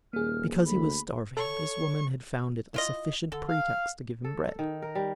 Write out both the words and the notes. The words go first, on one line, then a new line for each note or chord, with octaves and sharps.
Because he was starving, this woman had found it a sufficient pretext to give him bread.
D#1 A#3 G#4 F6
D2 B5
A4 C#5 C#6
E4 F4 D#5
D3 A4
F5
A4
D#3
A#4
G3